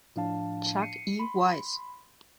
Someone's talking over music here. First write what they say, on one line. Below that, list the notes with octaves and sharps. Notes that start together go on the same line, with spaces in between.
Chuck E. Weiss.
A2 F3 D4 F5 A5
C7 C#7 D#7
B5 C6